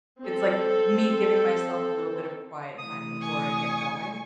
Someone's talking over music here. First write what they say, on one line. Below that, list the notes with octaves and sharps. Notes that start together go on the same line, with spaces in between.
It's like m me giving myself a little bit of quiet time before I get going.
C4 A4
C3 E3 A3 D#6
G#5 C#6